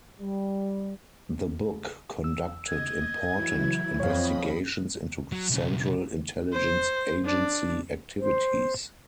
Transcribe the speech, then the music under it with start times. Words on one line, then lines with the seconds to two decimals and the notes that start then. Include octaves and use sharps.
The book conducted important investigations into Central Intelligence Agency activities.
0.20 G3
2.24 E6
2.68 D#5 G#6
3.34 E3 F#3 E4
4.00 F2 C#5 D#5 F5 B5 D#6
5.32 F#3
5.50 B1 C#3
6.53 C5
7.25 D4
8.20 C5